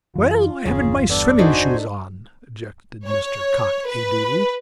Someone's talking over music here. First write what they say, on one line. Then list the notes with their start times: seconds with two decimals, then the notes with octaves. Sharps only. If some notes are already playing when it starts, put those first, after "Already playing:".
"Well, I haven't my swimming shoes on," objected Mr. Cock A. Doodle.
0.15 F#2 E3 F4
0.66 G1 E2 C#3 G#4
1.10 G3 B3 D4 A4 D5
1.38 A3 D4 D#4 F#4 C5 G#5
3.07 C#5
3.87 B4